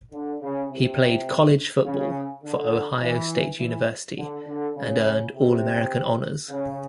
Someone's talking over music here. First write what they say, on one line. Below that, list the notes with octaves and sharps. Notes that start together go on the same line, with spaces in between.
He played college football for Ohio State University, and earned All-American honors.
D3
C#3
C3
C#3
D3
E3
E3
D3
D3
C#3
C3
C#3